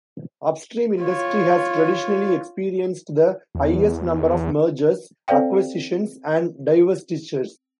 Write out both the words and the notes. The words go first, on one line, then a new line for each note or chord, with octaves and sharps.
Upstream Industry has traditionally experienced the highest number of Mergers, Acquisitions and Divestitures.
F4 C#5
E2
C4 A4 C5 D5 F5 G5